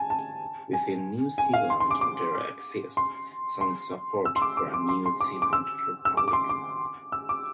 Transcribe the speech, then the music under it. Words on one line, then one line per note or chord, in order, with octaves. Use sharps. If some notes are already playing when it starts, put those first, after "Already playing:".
Within New Zealand there exists some support for a New Zealand republic.
Already playing: G#5 A5
A5
G#5
G#5
F5
C6
C6
D6
D6
C6
C6
E6
C6
D6
D6
D6
C6
C6
D6
D6
E6
E6
D6
D6
C6
D6
E6
D6